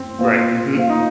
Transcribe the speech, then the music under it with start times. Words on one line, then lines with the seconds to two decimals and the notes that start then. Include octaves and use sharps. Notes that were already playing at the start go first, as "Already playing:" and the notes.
Right, mhm.
Already playing: C4
0.19 A#3 F4 C5 F5
0.75 A#3 F4 C5 F5
0.90 D#4